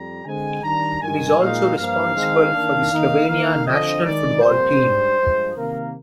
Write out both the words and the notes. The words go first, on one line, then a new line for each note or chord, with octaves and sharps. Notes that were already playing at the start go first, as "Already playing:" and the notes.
It is also responsible for the Slovenia national football team.
Already playing: F2 G3 A#5
D3 G#3 C4 G#5
D#3 G3 D4 A#5
G2 D#3 G#3 G#5
A#2 G#3 D#4 F5
G2 F3 A#3 F5
D#3 G#3 C4 D#4
D#3 A#3 D4
D#3 A#3 D#4
D#3 A#3 D#4 F5
D3 F3 C4 D#5
D#3 G#3 D#4 D5
F2 C3 G3 A#3 C5
G#2 G3 D4
G2 F3 G#3
C3 D#3 A#3 A#4